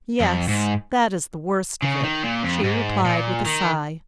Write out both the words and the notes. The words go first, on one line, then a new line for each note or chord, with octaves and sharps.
"Yes, that is the worst of it," she replied, with a sigh.
F2
G#2
C#3
D#3
A#2
F2
G#2
A#2
D#3